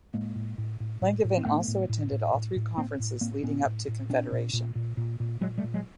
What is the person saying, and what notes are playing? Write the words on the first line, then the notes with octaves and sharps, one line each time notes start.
Langevin also attended all three conferences leading up to Confederation.
A2 G#3 A#3
A2
A2
A2
A2
A2
C4
A2 A3 B3
A2
A2
A2
A2
A2
A2 A#3 C4
A2
A2 A#3 C4
A2 B3 C#4
A2
A2
A#2 C4 D4
A#2
A#2
A#2
A#2
A#2
A#2 F#3 G#3
G3 A3
A#2
F#3 G#3